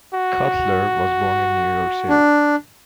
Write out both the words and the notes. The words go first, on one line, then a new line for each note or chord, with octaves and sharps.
Cutler was born in New York City.
F#4
D4